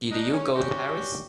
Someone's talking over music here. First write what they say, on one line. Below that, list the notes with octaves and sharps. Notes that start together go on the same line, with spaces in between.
Did you go to Paris?
D4 D#4
C#4
G3 C#4 F#4 G4